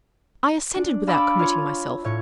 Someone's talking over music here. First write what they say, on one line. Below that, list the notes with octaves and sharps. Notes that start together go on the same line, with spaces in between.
I assented, without committing myself.
D4
F5 A5 B5 D6 E6 D7
F4 C#5
A2 C#5